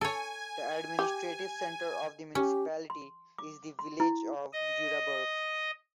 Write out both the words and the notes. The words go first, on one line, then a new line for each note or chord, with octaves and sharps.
The administrative centre of the municipality is the village of Judaberg.
A4 C#5 G#5
G4
C#4 G4
C6
D6
C6
E4
D#5